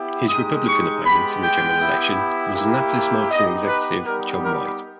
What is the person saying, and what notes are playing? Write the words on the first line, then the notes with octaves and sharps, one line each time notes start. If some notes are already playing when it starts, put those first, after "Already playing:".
His Republican opponent in the general election was Annapolis marketing executive John White.
Already playing: B3 E4 G4
G#3 D#4 G4 D#6
C#6
G#3 B3 G4 B5
G5
B3 E4 G4
A#3 E4 G4
B3 D#4 G4 D#5
B4
G3 B3 D#4 G4 A#4
A#4